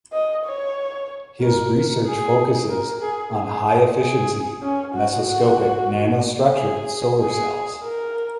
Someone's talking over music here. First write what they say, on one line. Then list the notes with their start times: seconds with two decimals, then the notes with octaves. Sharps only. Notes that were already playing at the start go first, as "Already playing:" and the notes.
His research focuses on high efficiency mesoscopic nanostructured solar cells.
0.13 D#5
0.45 C#5
1.41 A#4
2.06 G#4
2.69 A#4
3.02 G#4
3.34 G#4
3.98 G#4
4.62 C#4
4.94 F#4
5.26 F#4
6.55 G#4
7.19 G#4
7.83 A#4